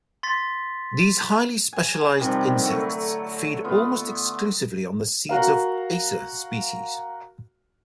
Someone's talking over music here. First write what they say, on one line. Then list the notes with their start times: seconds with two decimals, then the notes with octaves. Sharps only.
These highly specialized insects feed almost exclusively on the seeds of "Acer" species.
0.23 C6 A6 B6
1.73 G#5
2.19 C3 D#3 F3 G3
2.61 D3 F#3 A3
3.64 B3 F4
5.29 F#4 A#4 F5